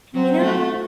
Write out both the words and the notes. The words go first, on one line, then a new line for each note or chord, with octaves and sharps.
"You know,
F#3 C4
A3